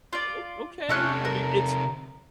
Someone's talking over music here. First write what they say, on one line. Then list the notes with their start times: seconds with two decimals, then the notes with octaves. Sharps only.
o okay, I mean, it's,
0.13 F4 D5
0.89 C3 A3 C#4 A4 F#6
1.25 A#4